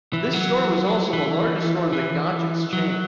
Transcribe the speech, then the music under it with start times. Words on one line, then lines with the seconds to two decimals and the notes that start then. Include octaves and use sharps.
This store was also the largest store in the Gottschalks chain.
0.13 E3
0.33 F#3
1.13 E3
1.92 E3
2.73 F#3